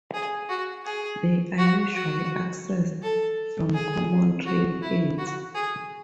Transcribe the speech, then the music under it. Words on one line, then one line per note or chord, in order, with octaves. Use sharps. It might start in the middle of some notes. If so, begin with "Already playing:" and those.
They are usually accessed from common trailheads.
G#4
F#4
G#4
F#4
F#4
A4
G#4
F#4
E4
F#4
G#4